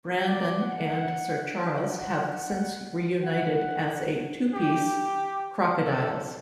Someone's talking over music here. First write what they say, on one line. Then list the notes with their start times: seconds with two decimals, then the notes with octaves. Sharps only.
Brandon and Sir Charles have since reunited as a two-piece; Crocodiles.
0.27 D5
0.59 F#5
1.90 F#5
3.23 F#5
4.54 G4
5.85 A4